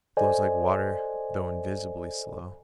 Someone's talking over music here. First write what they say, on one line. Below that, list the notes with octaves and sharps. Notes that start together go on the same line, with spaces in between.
"It flows like water, though invisibly slow."
A4 C5 D5 D#5 G#5